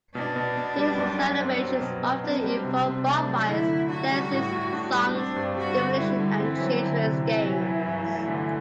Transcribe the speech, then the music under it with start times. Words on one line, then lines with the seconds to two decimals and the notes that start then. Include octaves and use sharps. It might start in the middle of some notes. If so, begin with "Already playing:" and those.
These celebrations often involve bonfires, dances, songs, divination and children's games.
0.14 B2 D4
0.36 B2
0.57 B3
0.77 G3
0.98 F#2
1.18 F#2
1.40 C4
1.61 F#3
1.81 B2
2.03 B2
2.24 C4 D4
2.44 G3
2.64 C3 C4
2.86 C3
3.06 A3 D4
3.27 F#3
3.48 D3 E4
3.69 D3
3.89 D4 F#4
4.11 G3
4.32 A2
4.52 A2
4.73 D4
4.95 G3
5.15 C4 D4
5.36 G2
5.57 G3 F#4
5.77 D3
5.98 G3 E4
6.19 D3
6.40 E3 C4
6.60 F#3
6.82 D3 E4
7.03 C3
7.23 E3 C4
7.45 F#3
7.65 E4
7.86 G2
8.07 A3
8.28 D3